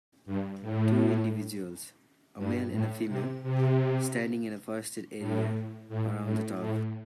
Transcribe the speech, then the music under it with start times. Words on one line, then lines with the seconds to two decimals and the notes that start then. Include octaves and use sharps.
Two individuals, a male and a female, standing in a forested area around a tub.
0.26 G2
0.61 A2
2.38 G2
2.72 A2
3.08 C3
3.43 C3
5.19 A2
5.89 A2
6.24 A2
6.59 A2